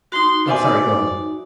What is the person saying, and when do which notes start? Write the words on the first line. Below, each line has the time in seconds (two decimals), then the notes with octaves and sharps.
No, sorry; go ahead.
0.12 D#4 F#4 C6
0.48 C5 D5 E5 G#5